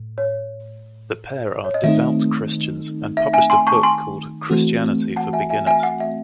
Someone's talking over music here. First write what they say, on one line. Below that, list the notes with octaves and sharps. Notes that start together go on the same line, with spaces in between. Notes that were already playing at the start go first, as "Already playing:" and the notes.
The pair are devout Christians and published a book called "Christianity for Beginners".
Already playing: A2
C#5
C#5
D#5
D#3 A3 C4 D#4 E5
E5
E5 G#5
G#5 C6
A5 C#6
G#5 C6
E3 A3 C4 F#4
F#5 A5
E5 G#5
E5 G#5
E5 G#5
F#5
E5